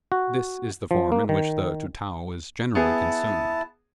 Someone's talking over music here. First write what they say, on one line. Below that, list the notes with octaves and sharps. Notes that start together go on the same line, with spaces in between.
This is the form in which the 'Tutao' is generally consumed.
F#4
F3
A#3
D#3
B3 E4 G#4 A5